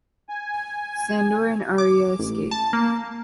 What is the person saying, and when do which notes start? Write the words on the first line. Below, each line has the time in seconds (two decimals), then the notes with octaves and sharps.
Sandor and Arya escape.
0.29 G#5
1.78 D6
2.19 A1
2.51 A5
2.73 A#3